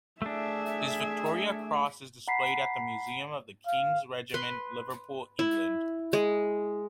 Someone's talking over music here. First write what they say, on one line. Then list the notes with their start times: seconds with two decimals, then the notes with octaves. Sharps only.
His Victoria Cross is displayed at the Museum of the King's Regiment, Liverpool, England.
0.22 A3 D4 G#4 E5
2.28 F#5 A#5 B5 B6 C7
3.66 F5
4.34 B4 C6
5.39 E4
6.13 G#3